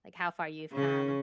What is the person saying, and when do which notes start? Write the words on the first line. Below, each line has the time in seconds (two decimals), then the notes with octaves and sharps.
like, how far you've come
0.73 C#3 C#4